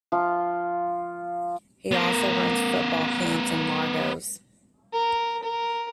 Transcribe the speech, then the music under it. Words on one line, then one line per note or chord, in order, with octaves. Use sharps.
He also runs football camps in Lagos.
F3 F4
B3 A#4
A#4
A#4